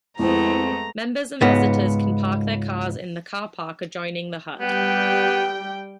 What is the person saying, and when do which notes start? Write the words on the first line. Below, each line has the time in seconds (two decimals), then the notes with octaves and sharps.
Members and visitors can park their cars in the car park adjoining the hut.
0.19 F2 G#3 A3 B3 C4 E4 A#5
1.41 C#2 G#2 B3
4.60 G3 B3 G5